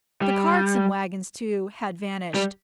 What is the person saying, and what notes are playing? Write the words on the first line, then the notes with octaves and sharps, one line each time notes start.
The carts and wagons, too, had vanished.
G3
G3